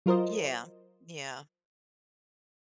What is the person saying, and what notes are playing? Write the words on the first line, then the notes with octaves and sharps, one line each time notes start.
Yeah, yeah.
F#3 F4 A#4 C5 D#5